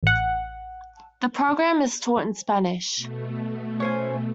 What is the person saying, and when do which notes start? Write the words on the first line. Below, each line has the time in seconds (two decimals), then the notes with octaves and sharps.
The program is taught in Spanish.
0.03 A1 F#5
2.96 B2 A3
3.80 C#4 C5 G#5